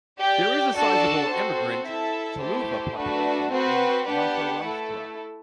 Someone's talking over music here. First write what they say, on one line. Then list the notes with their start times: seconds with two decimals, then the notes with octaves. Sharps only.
There is a sizable emigrant Tuluva population in Maharashtra.
0.18 G4 D5 G5
0.74 D4 F#4 A4 D5 A5
1.30 C4 F#4 A4 C5
1.85 E4 A4 E5 A5
2.41 A3 E4 G4 C5
2.96 A3 D4 F#4 B4
3.51 C4 F#4 B4
4.07 B3 D4 G4 B4 F#5
4.62 A3 E4 A4